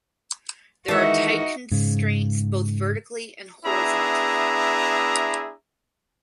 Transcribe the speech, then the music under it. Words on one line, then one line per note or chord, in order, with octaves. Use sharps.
There are tight constraints both vertically and horizontally.
D#3 E3 G#3 D#4 F#4 E5 A5
G#2 C#3
B3 D4 E4 G#4 E5 A#5